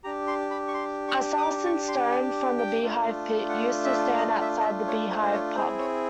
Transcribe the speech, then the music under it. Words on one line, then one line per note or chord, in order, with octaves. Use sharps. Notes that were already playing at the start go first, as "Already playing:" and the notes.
A Sarsen stone from the Beehive Pit used to stand outside The Beehive pub.
D4 G4 A#5
C6
B5
C#6
C6
C#6
D#6
D6
C#6
C6
G#5
G5
A3 D4 F4
F#5
E5
D#5
E5
D#5
E5
C#5
C5
C5
C#5
C4 E4 G#4 C5
C#5